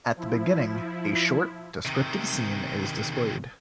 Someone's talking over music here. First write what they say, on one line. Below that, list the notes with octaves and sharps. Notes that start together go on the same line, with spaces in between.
At the beginning, a short descriptive scene is displayed.
F3 E4
C3 D#3